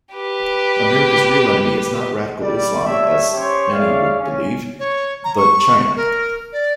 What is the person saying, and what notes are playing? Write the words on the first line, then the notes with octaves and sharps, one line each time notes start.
America's real enemy is not radical Islam, as many would believe, but China.
G4 B4
G3 D5
G3 A3 C#5 E5
C#4 G4 C5 C#5
G#4 C#5 D5 E5 F5
C#4
C#5
A#5
C#6
A#4
D5